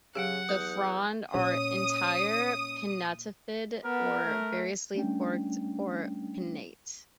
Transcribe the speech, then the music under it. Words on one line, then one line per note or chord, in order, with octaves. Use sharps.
The fronds are entire, pinnatifid, or variously forked or pinnate.
C#3 F#3 G4 F#5
E2 D#6 F#6 G6
A#2 C#4 D#6
B3 A#4
A3
G3 A3 C#4 D4 G5